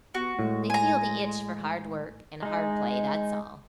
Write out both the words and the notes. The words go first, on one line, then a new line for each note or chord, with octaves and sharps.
They feel the itch for hard work and hard play, that's all.
B3 F#4
A2 G#3
G#5 A#5
G#3 D#4